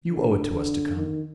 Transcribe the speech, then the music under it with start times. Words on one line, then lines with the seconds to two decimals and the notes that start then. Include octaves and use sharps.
You owe it to us to come.
0.10 D3
0.53 D3
0.96 D#3